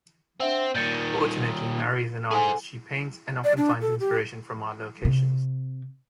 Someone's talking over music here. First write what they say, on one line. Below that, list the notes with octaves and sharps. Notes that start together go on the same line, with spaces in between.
Fortunately, Mary's an artist; she paints, and often finds inspiration from our locations.
C4 D4 E5 F#5
A#2 D#3 G6 A6 C#7
G#4 A4 C5 F#5 G#5
D5
D4
A4
G4
C3